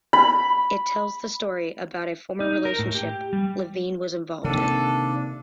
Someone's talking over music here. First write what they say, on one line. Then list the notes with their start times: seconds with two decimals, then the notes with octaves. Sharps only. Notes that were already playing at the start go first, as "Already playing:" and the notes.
It tells the story about a former relationship Levine was involved in.
0.13 B5
2.40 D#4
2.65 A#4
2.79 A2
2.95 G4
3.33 G3
4.44 C3 D#3 A#3 D4 A4